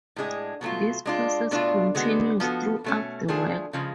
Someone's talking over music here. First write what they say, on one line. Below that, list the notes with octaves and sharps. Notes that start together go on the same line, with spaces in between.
This process continues throughout the work.
A2 G#3 D4 G#4
B2 F#3 A3 F4
G#3 D4 F4
B2 A3 D4 F4
D3 G#3 B3 F#4
F3 B3 F#4 A4
B2 A3 C#4
F3 A3 D4 G#4
C#3 F3 G#3